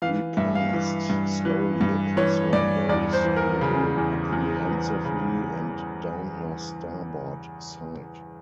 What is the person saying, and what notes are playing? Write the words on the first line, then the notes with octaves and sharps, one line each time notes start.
We passed slowly across her bows, a little apprehensively, and down her starboard side.
E3 F5
G2 E5
F5
E3
G2
E3
G2
E3 C#5
G2 D5
E2 D5
C5
E3
A#4
C#3
E2
E2
E3
C#3